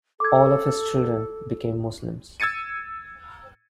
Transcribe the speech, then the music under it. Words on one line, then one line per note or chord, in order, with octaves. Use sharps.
All of his children became Muslims.
A4 D6 G#6
E6 G#6 A6 C#7 D#7